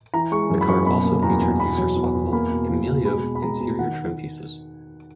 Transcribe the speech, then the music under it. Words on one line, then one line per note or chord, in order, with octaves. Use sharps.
The car also featured user swappable "Cameleo" interior trim pieces.
E3 A#5
G#3 C#6
F#2
B5
F#2 C#6
B2 B5
A#3
E2 A#5
E2
B2 B5
F#3
E2
E2
A#3 B5
B2
A#3
B2
G#3 B5
B2
B5
G#3 A#5
B2
D#3 F#5